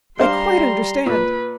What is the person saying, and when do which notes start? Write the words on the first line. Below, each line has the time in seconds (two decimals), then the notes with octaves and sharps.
I quite understand.
0.20 G3 D4 C5 F5 A#5 C6
1.06 A#2 B4